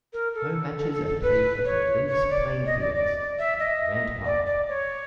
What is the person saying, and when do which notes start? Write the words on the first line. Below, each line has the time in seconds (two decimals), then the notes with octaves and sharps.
Home matches are played at the Links Playing Fields and Grant Park.
0.13 A#4
0.34 A4
0.78 A4
0.92 A4
1.07 A4
1.22 B4
1.65 C#5
2.09 C#5
2.30 D5
2.66 D#5
2.81 D5
2.95 D5
3.39 E5
3.60 D#5
4.25 D5
4.46 D5
4.69 C#5